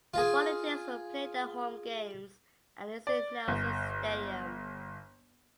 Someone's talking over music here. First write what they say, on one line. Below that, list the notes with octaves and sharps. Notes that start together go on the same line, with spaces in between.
The Volunteers will play their home games at Lindsey Nelson Stadium.
F4 G#4
D5
G1